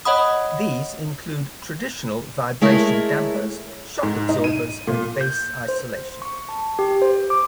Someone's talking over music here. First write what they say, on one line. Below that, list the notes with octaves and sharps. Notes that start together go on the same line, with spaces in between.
These include traditional vibration dampers, shock absorbers, and base isolation.
C#5 D#5 F#5 B5 D#6
G#3 A3 E4 A#4 C#5
G#2
D#4
D#7
A#2
G6
C5
C#6
A5
G4
C5
D6